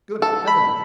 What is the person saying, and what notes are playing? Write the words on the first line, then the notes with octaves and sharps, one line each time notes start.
Good heavens!
A4
B5